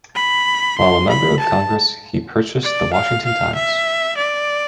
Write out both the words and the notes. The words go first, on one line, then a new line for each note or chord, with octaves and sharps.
While a member of Congress he purchased the "Washington Times".
B5
C6
B5
A5
D5
F5
F5
E5
D5